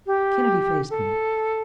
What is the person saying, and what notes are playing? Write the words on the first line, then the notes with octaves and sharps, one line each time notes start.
Kennedy faced me.
G4
A4